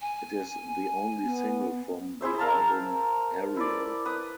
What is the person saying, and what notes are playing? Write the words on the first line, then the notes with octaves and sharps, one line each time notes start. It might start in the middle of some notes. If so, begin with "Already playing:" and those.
It is the only single from the album "Aerial".
G#5
B3
E4 G#4 C5 E5
A#4 F5 A5 A#5
E4 D5
B4 D#6